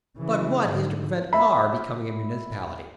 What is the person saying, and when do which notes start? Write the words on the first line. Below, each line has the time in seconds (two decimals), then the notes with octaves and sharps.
"But what is to prevent our becoming a municipality?"
0.19 C#3 E3
0.70 G#2 D3
1.33 E5 B5